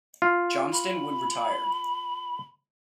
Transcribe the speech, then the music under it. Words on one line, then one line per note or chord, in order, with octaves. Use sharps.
Johnston would retire.
F4
B5